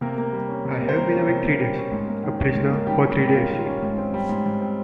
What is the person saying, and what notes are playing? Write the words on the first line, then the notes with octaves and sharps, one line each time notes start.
I have been awake three days — a prisoner for three days.
C3 A#3 A#4
A#3
G3
C#4
C3
A#3
C5
G3 A#3 A#4
C#4
C3
A#3
G3
C#4
G#2
A#3
D#3
C#4
G#2
A#3
D#3 G3 G4
C#4
G3 G4
G#2
G4
A#3 F4
D#3
F4
C#4
G#2
C4
G3
G#2
G#2
C4